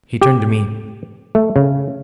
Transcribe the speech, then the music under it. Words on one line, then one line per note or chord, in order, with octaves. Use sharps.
He turned to me.
G4
A3
C#3